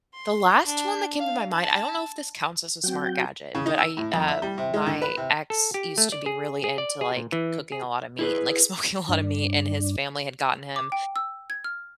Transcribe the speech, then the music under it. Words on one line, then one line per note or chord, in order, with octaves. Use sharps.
the last one that came to my mind, I don't know if this counts as a smart gadget, but I, uh my ex used to be really into, like, cooking a lot of meat and, like, smoking a lot of meat, and his family had gotten him
C6
D4
F5
A5
F#3 C4 F#4 G5
C#3
D#4
E6
A2
F2
E5
G3
C3
G#3
D3
B4
C3
A4
G4
A3
D5
G#4
G#4
D5
G#4
A#2
E3
G#4
E4 G#4 B4
G2 D4
D6
G5
E6
G#6
F6